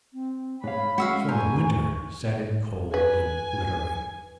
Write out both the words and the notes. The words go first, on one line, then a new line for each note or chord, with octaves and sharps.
So the winter set in cold and glittering.
C4
G#2 C#5 F5 B5
G#3 C#4 F#4 E5 F5
A2 D4 C5 G#5 A#5 C#6
B4 G#5